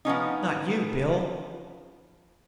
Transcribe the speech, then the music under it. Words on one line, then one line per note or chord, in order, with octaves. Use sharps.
Not you, Bill!
F3 B3 C#4 D#4